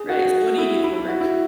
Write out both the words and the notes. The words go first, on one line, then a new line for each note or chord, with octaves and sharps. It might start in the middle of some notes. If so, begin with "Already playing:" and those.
Right, so what do you do for work?
Already playing: G#4
F#4
E4
E4
E4
F#4
E4